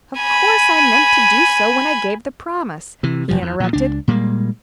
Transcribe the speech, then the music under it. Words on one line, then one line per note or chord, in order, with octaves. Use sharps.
"Of course I meant to do so when I gave the promise," he interrupted.
G#5 B5
C3 E3
F1 B1 F3
E2
A#2 F3
C#2 D4
A#2 G3 G#3 A#3